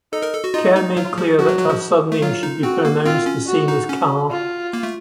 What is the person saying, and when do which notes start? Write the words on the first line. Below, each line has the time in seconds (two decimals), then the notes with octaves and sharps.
Kerr made clear that her surname should be pronounced the same as "car".
0.13 D#4 A4
0.22 A#4
0.34 A4
0.44 F#4
0.54 D#4 F4
0.76 D#4
0.96 F#3 F4
1.18 F3
1.38 F3 F#4
1.48 F#3
1.58 F#3
1.69 F3
2.12 A3
2.22 F#3 F4
2.43 D#4
2.63 C4 F#4
2.85 A#3
3.06 C4 F4
3.26 C#4
3.47 F#4
3.68 D#4
3.89 C#4
4.31 F4
4.73 A#3
4.83 A3